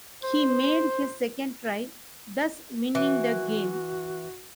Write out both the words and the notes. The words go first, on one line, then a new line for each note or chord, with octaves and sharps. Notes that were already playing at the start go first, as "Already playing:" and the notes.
He made his second try, thus winning the game.
C5
E3 F#4